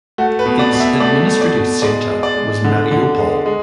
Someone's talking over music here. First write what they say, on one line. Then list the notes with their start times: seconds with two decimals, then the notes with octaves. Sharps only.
Its administrative centre was Mariupol.
0.18 A3 F#4
0.39 B4
0.46 B2
0.59 D5
0.73 B2
0.80 E5
1.00 A3 D5
1.28 A3
1.41 D5
1.55 B2
1.82 G#3 D5
2.10 G#3
2.23 D5
2.37 G#3
2.64 D3
2.91 D3
3.19 G#3
3.46 G#3